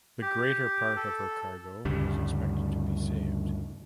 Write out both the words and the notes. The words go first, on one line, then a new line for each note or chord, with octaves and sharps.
The greater part of her cargo was expected to be saved.
G4
A4
D2 G2 C#3 G3